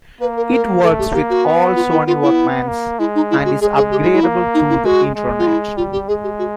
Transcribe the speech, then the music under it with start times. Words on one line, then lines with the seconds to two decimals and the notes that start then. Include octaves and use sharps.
It works with all Sony Walkmans, and is upgradable through the internet.
0.21 A#3 B4
0.37 A#4
0.52 A#4
0.83 A3 A4
0.99 G4
1.14 A#3 G4
1.30 F#4
1.45 B3
1.76 F4
1.91 E4
2.06 B3 F4
2.23 E4
2.68 A#3
2.99 G#3 E4
3.15 D#4
3.31 E4
3.45 F#4
3.61 G#3 G#4
3.76 G#4
3.91 G4
4.03 E4
4.13 E4
4.23 A#3
4.54 D#4
4.70 E4
4.84 G#3 F#4
5.15 G#3
5.39 F4
5.47 E4
5.77 G3 F4
5.92 G4
6.08 G#3 G#4
6.24 G4
6.39 F#4